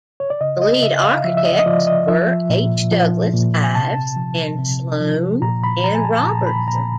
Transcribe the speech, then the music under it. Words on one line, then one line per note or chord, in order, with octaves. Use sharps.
The lead architects were H. Douglas Ives and Sloan and Robertson.
C#5
D5
C#3 D#5
D#5
C#3 E5
F5
F3 E5
E5
D#5
D#5
F3 D5
D#5
F3 E5
A#2
F3
A#2
G#5
C3 A5
F3
C3
F3
A#2 A#5
B5
F3 A#5
G#5
A5
A5
A#2 A#5
B5
A#2 A#5